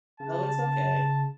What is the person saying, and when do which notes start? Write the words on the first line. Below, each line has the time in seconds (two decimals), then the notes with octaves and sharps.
no, it's okay.
0.20 C#3 A5